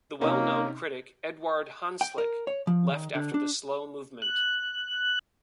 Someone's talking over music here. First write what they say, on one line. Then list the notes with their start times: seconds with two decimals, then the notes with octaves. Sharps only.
The well known critic Eduard Hanslick left after the slow movement.
0.21 C3 A#3 C#4 D#4
2.01 G5
2.18 A#4
2.47 C#5
2.67 F3
2.91 D#3
3.15 D3
3.34 D4
4.22 F#6